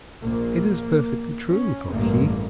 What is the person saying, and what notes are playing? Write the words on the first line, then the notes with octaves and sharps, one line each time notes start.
"It is perfectly true," thought he.
A#1 A#2 A#3
C#4
A1 G2 A#3